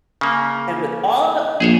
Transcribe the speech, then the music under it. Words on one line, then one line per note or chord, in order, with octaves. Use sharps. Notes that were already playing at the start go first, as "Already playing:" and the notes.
And with all the
C#3 A#3
A#1 G#4 C5 C#5